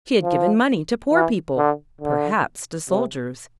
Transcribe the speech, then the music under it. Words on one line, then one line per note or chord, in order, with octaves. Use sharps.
She had given money to poor people, perhaps to soldiers.
F3
E3
D3
D3
C3